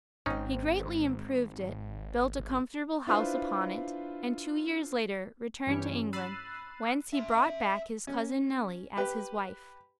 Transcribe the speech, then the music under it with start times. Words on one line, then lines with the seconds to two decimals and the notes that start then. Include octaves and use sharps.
He greatly improved it, built a comfortable house upon it, and two years later returned to England, whence he brought back his Cousin Nelly as his wife.
0.26 G#1 G#2 C4 C#4 D#4
3.07 D4 E4 F4 B4 C5
5.67 G2 E3 C#4 G4
6.13 B5 E6 F#6 A6 C7 D#7
7.13 E5 C6
8.07 C#4
8.97 G4 B4